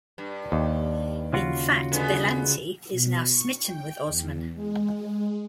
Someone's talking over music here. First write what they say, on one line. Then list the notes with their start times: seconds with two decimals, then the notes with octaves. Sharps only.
In fact Bellante is now smitten with Osman.
0.18 G2
0.52 D#2
1.33 C#3 F4 F#4
1.92 D3 G#3 B3
2.92 B2
3.24 C#6
3.61 G5
4.06 E2
4.55 G#3